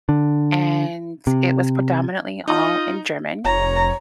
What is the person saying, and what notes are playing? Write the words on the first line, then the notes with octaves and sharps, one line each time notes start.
and it was predominantly all in German,
D3
C3
D#4 F4 D#5
F1 C#5 A#5